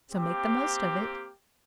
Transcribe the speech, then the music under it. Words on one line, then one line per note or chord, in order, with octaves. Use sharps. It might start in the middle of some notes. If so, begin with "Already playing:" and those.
"So make the most of it."
A#3 C4 G4